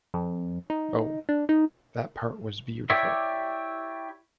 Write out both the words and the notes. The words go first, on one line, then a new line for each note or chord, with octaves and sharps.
Oh, that part was beautiful.
F2
D#4
D4
D#4
E4 G4 C#5 D5 E5